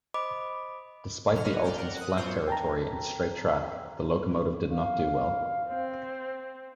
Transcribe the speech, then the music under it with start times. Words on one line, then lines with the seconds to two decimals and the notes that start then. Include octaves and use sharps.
Despite the Alton's flat territory and straight track, the locomotive did not do well.
0.14 C5 D#5 B5 D6
1.31 G1 F2 C#3 F#3 F6
1.44 F#4 A#4 B4 C#5 D#5
1.64 D5 F5 G5
1.77 A#4 F#5
1.96 D#6 F#6
2.16 F#3 B3 C4 F4 C5 C#5
2.48 G5 A5 A#5
4.73 F5
5.68 C4